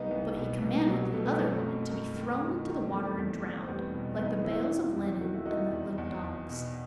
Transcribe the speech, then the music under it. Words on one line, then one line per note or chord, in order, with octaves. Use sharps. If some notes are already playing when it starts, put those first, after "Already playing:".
But he commanded the other women to be thrown into the water and drowned, like the bales of linen and the little dogs.
Already playing: C2 B3 D#4
C2
B2
C2
B2 F#3
G3
B2 A3
B3
F#2 A3 C4
F#2
F#2
D#3
D#3
D#3
E2 A3 C4
E2
E2
C4
E2 G3 B3
B2
E2 B3 D#4
D#3 C4 E4
D#3
E2
D#3 F#4
E4
D#3 D#4 F#4
E2
E2
E2
B2